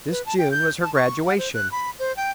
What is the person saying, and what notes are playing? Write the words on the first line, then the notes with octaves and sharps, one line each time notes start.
This June was her graduation.
B4
A5
G5
G6
A5
C#6
F#5
C5
F#6
B5
C5
G5